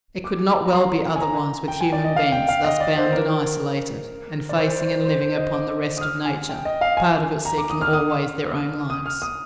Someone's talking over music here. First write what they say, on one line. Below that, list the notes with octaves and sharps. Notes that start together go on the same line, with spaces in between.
It could not well be otherwise with human beings thus bound and isolated and facing and living upon the rest of nature, part of it seeking always their own lives.
D6
A#5
C6
G#5
A#5
G5
G#5
D5
D#5
F5
G5
F5
D#5
D5
C5
A#4
D5
C5
C5
C5
C5
D#5
D6
D#6
F6
G#5
G5
D#5
F5
G#5
A#5
D6
D#6
F6
D#6
D#6
F6
D#6